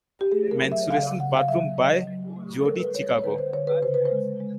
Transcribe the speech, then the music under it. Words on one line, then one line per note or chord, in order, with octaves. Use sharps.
Menstruation Bathroom - by Judy Chicago.
G4
A3 G#4
A#4
F#3
E5
C#3 F5
C#3 F#5
F5
F#3 E5
F#3 D#5
F#3
A3
A4
G3 A#4
B4
G3 C#5
C#5
D3 B4
C5
D3 C#5
B4
C#3 C5
B4
C5
G#3
G#3